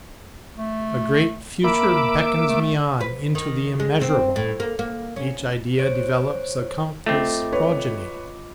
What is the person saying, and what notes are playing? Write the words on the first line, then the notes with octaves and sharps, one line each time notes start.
A great future beckons me on into the immeasurable; each idea develops a countless progeny.
A3
A#3 E5 B5 D6
A3
B4
D#3
G#3
C4
A2
A#3
A#3
C#4
C5 C#5 D7
A3 C4 F4 D#5 D6
B4 C#5